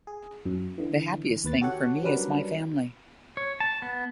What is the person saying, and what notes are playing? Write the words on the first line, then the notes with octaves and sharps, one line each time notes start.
The happiest thing for me is my family.
G#4
F#2
D3 E3
D#2 B4 A6
F#4 G4 A4 C#5 F#5
F#3 G3 C#4 D4 A#4 B4
C#5
A5
B3